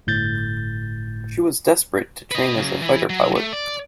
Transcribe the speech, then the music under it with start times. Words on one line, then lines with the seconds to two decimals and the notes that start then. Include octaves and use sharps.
She was desperate to train as a fighter pilot.
0.07 G1 A2 G6 A6
2.31 B4 D#5
2.56 C#3 F#3
2.82 E3 E4
3.10 F#3
3.36 A3
3.53 D5